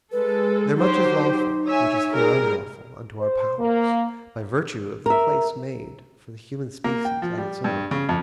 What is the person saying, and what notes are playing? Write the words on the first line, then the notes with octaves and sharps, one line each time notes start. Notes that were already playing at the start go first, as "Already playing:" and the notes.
There much is lawful which is here unlawful Unto our powers, by virtue of the place Made for the human species as its own.
G#3 A4 B4
F#3 D#4 G4 C5
C#5 E5 G#5
G3 G#4 A#4
C5
A#3
A#4 E5
A#3
G5
F3
G3
G2
C#3
F2